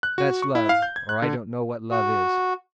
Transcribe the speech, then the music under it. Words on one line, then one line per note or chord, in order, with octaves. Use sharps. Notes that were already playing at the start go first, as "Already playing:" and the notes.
"That's love, or I don't know what love is."
F#6
F#4
C#6
E4
F5
G6
G#6
F#6
D3
F#4